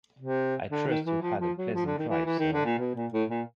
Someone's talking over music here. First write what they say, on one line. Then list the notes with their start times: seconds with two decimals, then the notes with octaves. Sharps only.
I trust you had a pleasant drive, sir.
0.19 C3
0.71 D3
0.88 D#3
1.05 E3
1.22 F3
1.40 F3
1.57 F#3
1.74 F3
1.86 D3
1.98 D#3
2.09 E3
2.26 E3
2.39 D#3
2.53 D3
2.65 A#2
2.79 B2
2.95 A#2
3.12 A2
3.30 A#2